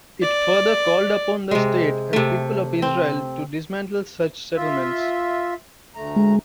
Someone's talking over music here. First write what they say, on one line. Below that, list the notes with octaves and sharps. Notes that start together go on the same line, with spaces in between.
It further called upon the State and people of Israel to dismantle such settlements.
D5
C3 G#3
C3 A3
C4
F4 E5
D2 A3 A#5
G#3